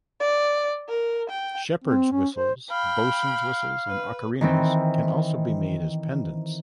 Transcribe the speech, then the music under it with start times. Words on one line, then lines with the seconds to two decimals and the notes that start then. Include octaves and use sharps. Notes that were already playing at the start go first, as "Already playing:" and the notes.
Shepherd's whistles, bosun's whistles, and ocarinas can also be made as pendants.
0.20 D5
0.88 A#4
1.29 G5
1.84 C4
2.11 C#4
2.36 C5
2.71 F5 G5 B5
3.86 B4
4.41 D#3 E3 C4